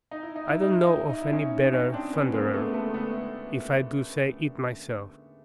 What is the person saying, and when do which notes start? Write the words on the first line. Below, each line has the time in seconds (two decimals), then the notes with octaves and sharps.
"I don't know of any better thunderer if I do say it myself."
0.11 D#4
0.23 E4
0.36 D#4
0.48 E4
0.61 D#4
0.73 E4
0.85 D#4
0.97 E4
1.09 D#4
1.21 E4
1.33 C#4 D#4
1.73 C#4 D#4
1.93 C4 D4
2.13 B3 C#4
2.34 G#3 A#3
2.53 A3 B3
2.74 A3 B3
2.94 A3 B3